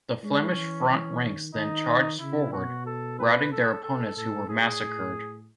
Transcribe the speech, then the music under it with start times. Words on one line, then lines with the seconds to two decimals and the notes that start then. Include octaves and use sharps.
The Flemish front ranks then charged forward, routing their opponents who were massacred.
0.24 G#3 C#4
0.56 E3
0.89 E3
1.22 D#3
1.54 D#3 D#4
2.20 C#3 E4
2.53 B2 F#4
2.86 A4
3.19 B4
3.52 A4
3.84 A4
4.17 A2 A4
4.49 G#4